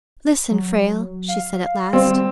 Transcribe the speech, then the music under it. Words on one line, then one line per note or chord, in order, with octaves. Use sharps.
"Listen, Frale," she said at last.
F#3
F5
G3 C4